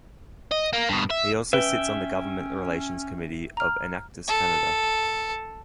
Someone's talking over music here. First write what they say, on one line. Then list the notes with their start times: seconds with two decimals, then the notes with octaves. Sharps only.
He also sits on the government relations committee of Enactus Canada.
0.52 D#5
0.73 A#3
0.89 G2 B2
1.10 E5
1.53 C#4 B4 E5 G5
3.57 A#5 F6
4.28 A4